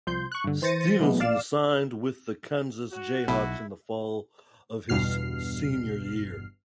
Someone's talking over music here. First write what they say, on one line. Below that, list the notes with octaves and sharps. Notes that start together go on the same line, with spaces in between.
Stevenson signed with the Kansas Jayhawks in the fall of his senior year.
C2 F3 C6 G6
C#6 F#6
G2 D3
E3 C5 A6 A#6 C#7 D#7
B2 E3 F#3 G#3 A3 B3
A#1 D5 F5 E7
F#4
B1 B2 E4
G1 E2 G2 B2 F6 C7